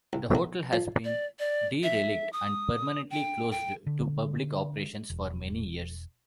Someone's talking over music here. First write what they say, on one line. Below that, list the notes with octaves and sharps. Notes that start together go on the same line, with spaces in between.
The Hotel has been derelict and permanently closed to public operations for many years.
C2
B1
F3
D5
D5
E5
D#6
G5
G5
D3
E1